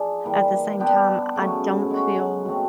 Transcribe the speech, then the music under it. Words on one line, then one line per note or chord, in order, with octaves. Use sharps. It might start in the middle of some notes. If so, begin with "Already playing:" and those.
at the same time, I don't feel
Already playing: F3 D4 F4 G#4
E3 G3 A#3
B3 D4 G4
C#3 F#3 A3
G#3 C#4 F#4
B2 F#3 A3 C4